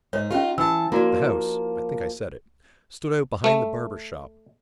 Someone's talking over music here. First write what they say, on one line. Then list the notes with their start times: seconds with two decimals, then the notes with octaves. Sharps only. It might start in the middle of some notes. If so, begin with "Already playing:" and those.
The house,--I think I said it,--stood out behind the barber shop.
0.13 G#2 D#4 C#5
0.31 C#4 D#4 F4 G4
0.58 E3 A5 E6
0.92 F3 A#3 E4 F#4 D5
3.44 A3